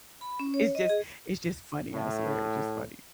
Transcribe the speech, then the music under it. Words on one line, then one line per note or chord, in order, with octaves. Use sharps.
It's just it's just funny, I swear. It's just funny.
B5
C#4
C#5
D#5
G#4
A2